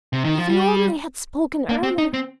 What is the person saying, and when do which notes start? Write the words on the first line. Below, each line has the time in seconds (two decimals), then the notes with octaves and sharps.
If he only had spoken earlier!
0.13 C3
0.24 D#3
0.38 F3
0.49 G3
1.69 A#3
1.83 C4
1.98 D#4
2.14 C4